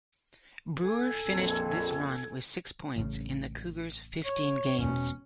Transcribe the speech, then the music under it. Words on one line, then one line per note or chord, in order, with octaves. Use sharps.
Brewer finished this run with six points in the Cougars' fifteen games.
A4 G#5 G#6
A#1 F2
A1 C#3
C#5
E1 B2 C#4